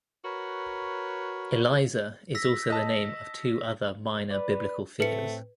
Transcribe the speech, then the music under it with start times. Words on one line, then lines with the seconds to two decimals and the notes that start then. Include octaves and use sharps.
Eliezer is also the name of two other minor biblical figures.
0.24 F#4 A#4 B4 C#5
2.35 E6 A#6 B6
2.70 D#5 A5
4.31 B4 D5
5.00 A2 A3 C4 B4 C#7